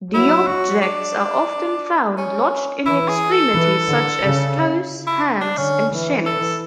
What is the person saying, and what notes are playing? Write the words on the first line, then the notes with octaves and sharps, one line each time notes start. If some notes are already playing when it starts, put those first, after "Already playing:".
The objects are often found lodged in extremities such as toes, hands and shins.
F#3 E4
F#4
D4
C#4
E3 E4
G#4
A4
E3
D3
C#3
E4
D4
D3 C#4
E3
A4